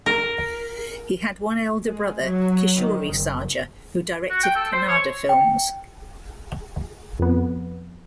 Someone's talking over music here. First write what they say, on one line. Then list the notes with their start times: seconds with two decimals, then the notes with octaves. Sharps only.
He had one elder brother Kishore Sarja, who directed Kannada films.
0.06 A#4
1.85 G#3
2.23 F#3
2.75 D#3
3.08 F#1
4.30 F#4
4.43 G5
4.55 A4
4.72 C5
4.88 C#5
5.29 G5
7.19 F2 B3